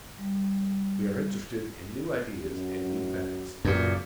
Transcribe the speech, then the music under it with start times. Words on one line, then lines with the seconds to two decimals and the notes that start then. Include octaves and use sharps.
We are interested in new ideas and new facts.
0.18 G3
2.44 F#2
3.65 C#2 F#2 A#2